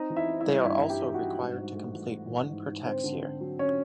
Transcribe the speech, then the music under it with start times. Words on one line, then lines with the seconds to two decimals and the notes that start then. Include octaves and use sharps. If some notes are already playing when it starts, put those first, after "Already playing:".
They are also required to complete one per tax year.
Already playing: C4 D#4 D#5
0.10 E3
0.17 E4 E5
0.28 C4
0.41 E4 E5
0.47 G3
0.65 G2 E4 E5
0.83 G2
0.90 G4 G5
1.01 E3
1.14 F#4 F#5
1.20 G2
1.39 G#2
1.57 G#2
1.75 A3
1.94 E3
2.12 A3
2.30 E3
2.49 G#2
2.67 G#2
2.86 D3 C4 C5
3.04 D3
3.22 D3
3.41 F#3
3.59 D3 C#4 C#5